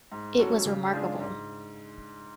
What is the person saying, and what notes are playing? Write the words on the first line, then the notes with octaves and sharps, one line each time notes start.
It was remarkable.
G#2
F#3 C#4 F#4 A4
C#3
G#3 D4 F4 G#4
G#2